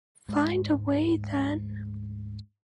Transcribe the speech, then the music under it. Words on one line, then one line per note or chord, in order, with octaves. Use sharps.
Find a way, then!
D2 G#2 G#3